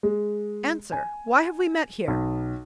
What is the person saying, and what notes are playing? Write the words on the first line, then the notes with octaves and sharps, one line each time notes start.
Answer: why have we met here?
G#3
G#5
B1